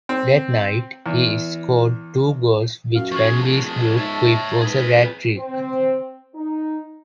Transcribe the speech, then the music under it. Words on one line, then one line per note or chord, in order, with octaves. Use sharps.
That night, he scored two goals, which Vanbiesbrouck quipped was a rat trick.
C4
E2
F#2 F5
F3 G#4 C#6
D1 A5
G#2 C#5 E5
G#2 G#4 B4
F2 G3
C4
D#4